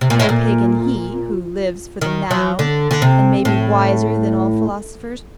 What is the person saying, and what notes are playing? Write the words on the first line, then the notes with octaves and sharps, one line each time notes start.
No Pagan he, who lives for the Now, and may be wiser than all philosophers.
C3
A#2
A2
A#2
D#3
F#3
D3
D3
C3
A2